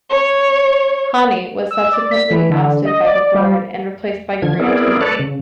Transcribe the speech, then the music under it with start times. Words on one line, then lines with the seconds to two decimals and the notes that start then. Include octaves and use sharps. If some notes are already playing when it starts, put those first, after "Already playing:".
Hanni was subsequently ousted by the board and replaced by Grant Mitton.
0.10 C#5
1.71 E6
1.92 D5
2.11 B6
2.30 E3
2.50 D3
2.85 D#5
3.05 D5
3.34 G3
4.42 D3 F3 G#6
4.59 B3 C4 E4 G#4 A#4 D5
5.01 A4 B4 C#5 D5 A5
5.19 C#3